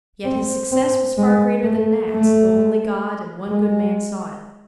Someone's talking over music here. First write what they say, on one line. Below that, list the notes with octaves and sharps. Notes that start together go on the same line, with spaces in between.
Yet his success was far greater than Nat's, though only God and one good man saw it.
C4
C4
G#3
A3
A3
G#3